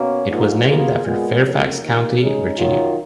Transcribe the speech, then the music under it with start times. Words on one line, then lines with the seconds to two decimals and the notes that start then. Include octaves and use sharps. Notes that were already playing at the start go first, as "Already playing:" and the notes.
It was named after Fairfax County, Virginia.
Already playing: B2 A#3 C#4
0.27 A#1 G#2 F3 A#3 F4
0.66 B2 A#3 F4 G#4
1.04 A#2 G#3 B3 F4 G#4
1.43 F2 C#3 F#3 A#3
1.81 D#2 D#3 A#3
2.20 C#3 G#3 D#4 G#4
2.58 F#2 D#3 F#3 C#4 F4